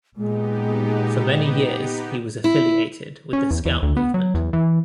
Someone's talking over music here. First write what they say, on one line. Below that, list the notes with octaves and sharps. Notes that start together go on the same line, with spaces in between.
For many years he was affiliated with the Scout Movement.
A#2 G#3 B3 D#4 G4
E4
C#4
E2
E2
D2
B3
F#3
E2
E3